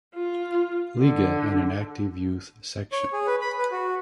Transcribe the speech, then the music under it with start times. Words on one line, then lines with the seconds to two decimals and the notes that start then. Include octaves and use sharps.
Liga and an active youth section.
0.15 F4
1.00 D3
2.92 C#5
3.13 G#4
3.27 B4
3.41 B5
3.58 B4
3.72 F#4